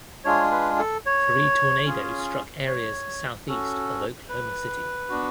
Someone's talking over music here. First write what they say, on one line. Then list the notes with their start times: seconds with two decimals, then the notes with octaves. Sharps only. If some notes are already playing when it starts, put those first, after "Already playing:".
Three tornadoes struck areas southeast of Oklahoma City.
0.24 G#3 D4 F4 G#4 C#5
0.51 B4
0.79 A4
1.06 C#5
1.86 C#4 F4 G#4
2.67 C#5
3.47 C#4 F#4 A4
4.29 B4
5.09 B3 D4 F#4